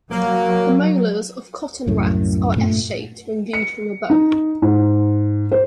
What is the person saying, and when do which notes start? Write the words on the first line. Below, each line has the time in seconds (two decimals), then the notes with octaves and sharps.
The molars of cotton rats are S-shaped when viewed from above.
0.11 F#3 A#3
1.87 C2 F#2 A2
2.56 G2 A#2 A3
3.53 C#7
4.10 D#4
4.62 G#2
5.52 C5